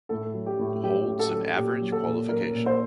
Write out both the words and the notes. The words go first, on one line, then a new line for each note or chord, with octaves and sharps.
Holds an average qualification.
A2 A4
F#3
G4
A2
F#3 G4
A2
A4
F#3
A#2 G4
F#3
A4
A#2
F#3 A#4
A#2
C5